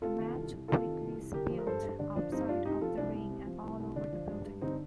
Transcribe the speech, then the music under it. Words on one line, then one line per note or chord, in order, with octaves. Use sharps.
The match quickly spilled outside of the ring and all over the building.
C3 F4 A4
D#3
C2
C2
C3 F4 A4
D#3
C2
C2
D3 G4 A#4
F3
A#4
G2 A4 C5
G2
D3 D4
F3 D4
G2 C4 D#4
G2 D4 F4
C3 D#4 G4
F3 F4 A4
C2 D4
C2
C3
F3
C2
C2
D3 D4
F3
G2
G2
D3 C4 D#4